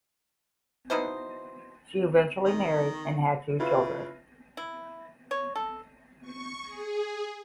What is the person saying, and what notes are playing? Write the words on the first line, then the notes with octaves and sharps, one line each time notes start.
She eventually married and had two children.
B2 D#4 E4 C5
D#3
C#3 E4 F4 B4
E4
C#5
A4
C#6
G#4